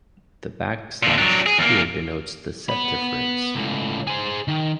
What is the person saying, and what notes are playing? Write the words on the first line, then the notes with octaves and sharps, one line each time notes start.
The backslash here denotes the set difference.
A#2 D3
F#3 D4
G#4
E2 A#3
B3 B5
C#2 A2
G#4 C5
D#3